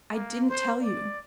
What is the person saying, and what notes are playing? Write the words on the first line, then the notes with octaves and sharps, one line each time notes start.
I didn't tell you.
A#3
C5
D5